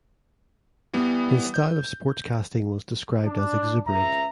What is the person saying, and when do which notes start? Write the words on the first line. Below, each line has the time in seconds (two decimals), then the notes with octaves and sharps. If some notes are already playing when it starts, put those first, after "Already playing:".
His style of sportscasting was described as exuberant.
0.93 E3 G3 B3
1.54 G6
3.25 D4
3.87 C#2 E5 A#5